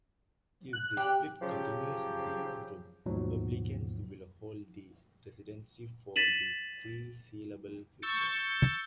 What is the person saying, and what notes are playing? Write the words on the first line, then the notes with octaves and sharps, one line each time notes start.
If this split continues, the Republicans will hold the Presidency for the foreseeable future.
F#6
G4
C#3 F3 F#3 G4
D#2 G#2 B2 F3 F#3
A6 B6 D#7 E7 F#7
C#6 E6 G6 A6 C#7